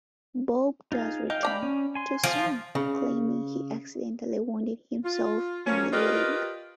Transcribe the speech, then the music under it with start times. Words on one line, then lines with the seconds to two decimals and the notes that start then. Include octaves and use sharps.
Bob does return, too soon, claiming he accidentally wounded himself in the leg.
0.92 D#4 F4 G#4
1.30 D#4 F5 G5
1.43 D5 A#5 B5
1.63 C#4
1.95 G#5 C6
2.23 F3
2.75 C#3
5.05 F4
5.67 F3 F#3 A#3 C#4
5.93 F4 G4 A#4 B4 D5 D#5